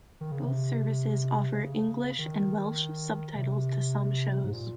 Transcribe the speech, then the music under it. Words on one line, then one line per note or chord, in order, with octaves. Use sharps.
Both services offer English and Welsh subtitles to some shows.
D#3
C#3
C3
C3
C#3
D#3
C3
G#2
A#2